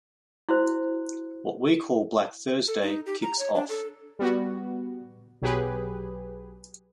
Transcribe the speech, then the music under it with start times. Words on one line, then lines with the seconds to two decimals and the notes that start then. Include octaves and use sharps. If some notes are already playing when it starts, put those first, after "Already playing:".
What we call Black Thursday kicks off.
0.49 E4 F#4 C5
2.68 A4
2.83 D#4
3.06 G4
3.22 A#5
3.39 C#5
3.55 D4
3.69 A4
4.19 G3 B3 F#4
5.42 B1 F#3 G4 G#4 B4